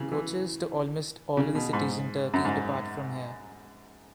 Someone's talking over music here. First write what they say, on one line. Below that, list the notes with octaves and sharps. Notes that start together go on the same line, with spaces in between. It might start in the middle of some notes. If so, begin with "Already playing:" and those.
Coaches to almost all of the cities in Turkey depart from here.
Already playing: C#3 E3
E3
C#3
B2
G#2
F#2
G#2